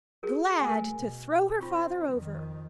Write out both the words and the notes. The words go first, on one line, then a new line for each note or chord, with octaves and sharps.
Glad to throw her father over!
F#4 G#4 A#4
A3 A#4 G#5
B2
C4 F4 C#6
F2 D#3